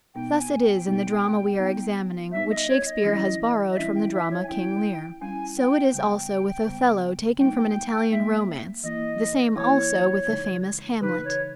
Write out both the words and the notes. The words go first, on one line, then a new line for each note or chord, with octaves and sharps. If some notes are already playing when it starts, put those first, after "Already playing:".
Thus it is in the drama we are examining, which Shakespeare has borrowed from the drama "King Leir." So it is also with Othello, taken from an Italian romance, the same also with the famous Hamlet.
B2 G#3 B3 D#4 G5
G#5
G5
B2 G#3 B3 D#4 G5
G3 B3 D#4
G3 B3 D#4 E5
D#5
C#5
D#5
E3 G3 C#4 E4
D#5
E3 G3 C#4 E4 E5
G5
E5
C#5
G#5
G3 C#4 E4 G5
G3 C#4 E4 G#5
G5
C#3 G3 B3 G5
C#3 G3 B3
G3 A#3 D#4 G5
G5
G5
G5
G3 A#3 D#4 E5
E3 A#3 E4 D#5
E3 A#3 E4 C#5
C#3 E3 G#3 D#4
C#3 E3 G#3 D#4 B4
C#5